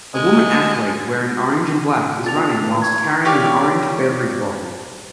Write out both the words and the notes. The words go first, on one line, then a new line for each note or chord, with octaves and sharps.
A woman athlete wearing orange and black is running whilst carrying an orange beverage bottle.
G#3
F4 D5 A5 A6 F7
E3 A#3 D4
A#5 C#6 G#6
G4 C#5 D5 F5